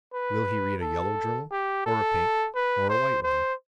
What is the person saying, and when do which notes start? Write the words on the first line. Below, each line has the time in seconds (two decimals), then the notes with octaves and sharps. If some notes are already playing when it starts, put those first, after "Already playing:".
Will he read a yellow journal or a pink or a white one?
0.14 B4
0.82 A4
1.52 G4
1.86 A4
2.55 B4
2.90 C5
3.23 C5